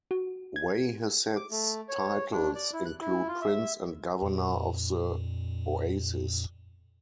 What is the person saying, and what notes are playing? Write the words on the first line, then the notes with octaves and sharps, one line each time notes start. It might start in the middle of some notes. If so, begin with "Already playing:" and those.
Wayheset's titles include Prince and Governor of the Oasis.
F#4
G#6
D6
A3
C#5
D4
D5
E4
F#6
E4
F4
E5
F2 A#2